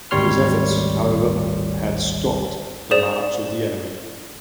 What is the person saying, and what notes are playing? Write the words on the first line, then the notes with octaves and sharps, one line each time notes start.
His efforts, however, had stopped the march of the enemy.
G#1 D2 G3 C#5 C6 F6
G#4 C5 D5 E7